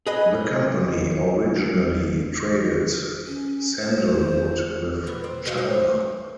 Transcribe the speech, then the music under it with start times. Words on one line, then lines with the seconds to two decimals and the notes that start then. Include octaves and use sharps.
The company originally traded sandalwood with China.
0.07 G#4 B4 D#5
3.27 C#4
3.81 C5
5.07 B3
5.24 C4
5.46 F#4 E5 F5
5.58 C5